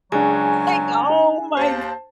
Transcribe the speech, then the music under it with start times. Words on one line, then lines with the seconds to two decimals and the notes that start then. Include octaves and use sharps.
like, oh my g
0.12 C#2 F#3 D4 G#4 G#5
1.57 D#2 C5 A5